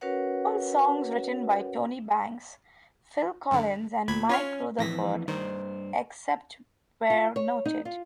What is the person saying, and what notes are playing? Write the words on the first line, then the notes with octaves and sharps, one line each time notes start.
All songs written by Tony Banks, Phil Collins, and Mike Rutherford, except where noted.
C#4 F#4 A#4 B4 C#5 F#5
F#2 D3
D2 A#2 B5 G#6
C#4 F4 C#5 F6
F2 A2 E3 A#6 B6
G2 D#3 C5
F4
C#5
D#4
F4